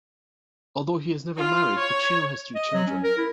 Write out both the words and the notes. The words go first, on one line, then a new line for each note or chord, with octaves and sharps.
Although he has never married, Pacino has three children.
F4
C#5
D#5
F#3
C#4
A#4
E4